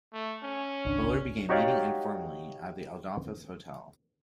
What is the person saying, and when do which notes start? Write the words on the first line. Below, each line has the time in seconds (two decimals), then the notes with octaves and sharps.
Bullard began meeting informally at the Adolphus Hotel.
0.13 A3
0.43 C#4
0.85 G#1 C#2 D4
1.49 D#4 F#4 G4 C#5 D5 F5